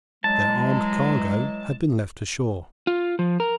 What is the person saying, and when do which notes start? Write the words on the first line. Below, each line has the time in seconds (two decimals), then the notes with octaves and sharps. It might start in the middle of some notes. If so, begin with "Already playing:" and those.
Their armed cargo had been left ashore.
0.24 E3 F#3 G#3 A5
2.87 F4
3.19 F3
3.40 A#4